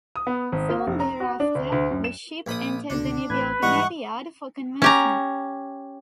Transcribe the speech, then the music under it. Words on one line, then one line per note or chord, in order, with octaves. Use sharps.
Soon thereafter, the ship entered the New York Navy Yard for conversion.
D#6
B3
G#1
A#3
F1
A#5
F#4
D4
D2
D2
F#2
E7
A#1 B5 D#6
C#2 B2 D3 D4
A1 A2 B4 G#6
G#2 E3 G3 D#5 F#5 C#6
C#4 G4 A#5